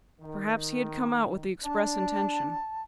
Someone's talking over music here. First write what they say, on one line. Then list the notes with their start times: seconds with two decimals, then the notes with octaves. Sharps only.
Perhaps he had come out with the express intention.
0.21 D#3
1.64 D4 A5